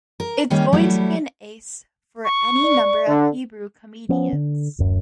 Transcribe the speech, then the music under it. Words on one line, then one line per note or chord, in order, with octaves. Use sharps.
It's going to be an ace for any number of Hebrew comedians.
A#4
D#3 G3 A#3 C#4
F#3 G3 A3 E4
C#6
D5
D3
F3 B3 C#4
D3
D1 F#2